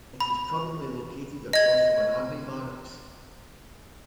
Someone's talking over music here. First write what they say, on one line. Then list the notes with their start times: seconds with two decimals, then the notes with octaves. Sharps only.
It is currently located across from an army barracks.
0.20 B5
1.53 D#5 G#6